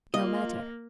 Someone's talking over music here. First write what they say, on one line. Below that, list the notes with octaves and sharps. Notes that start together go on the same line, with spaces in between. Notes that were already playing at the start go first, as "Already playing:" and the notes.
"No matter."
A#3 F4 D#5